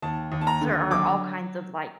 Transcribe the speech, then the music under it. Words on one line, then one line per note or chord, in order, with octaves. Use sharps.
There are all kinds of, like,
D#2 A5
D#2
A5
A#5
D3
F#3 D6